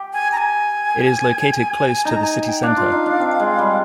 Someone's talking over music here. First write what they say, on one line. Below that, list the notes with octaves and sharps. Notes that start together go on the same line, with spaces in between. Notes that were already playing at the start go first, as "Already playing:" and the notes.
It is located close to the city center.
Already playing: G4
G#5
A#5
G#5
D#4 A#5
G#5
G#5
G5
D4 F5
F4
D#4
D4
C4
G#3
G3